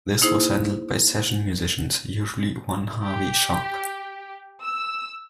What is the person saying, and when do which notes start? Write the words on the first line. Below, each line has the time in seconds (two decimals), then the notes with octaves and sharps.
This was handled by session musicians, usually one Harvey Sharpe.
0.22 A#3 D#4 E4 G#4 C5
3.02 G4
4.62 E6